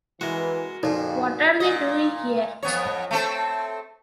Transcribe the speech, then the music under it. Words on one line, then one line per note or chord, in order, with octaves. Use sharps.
What are they doing here?
E3 G#3 F#4 A#4
F2 A#2 C#3 D#4 A4 D5
A#2 D#5
F2 B3 C#5
A3 C4 A4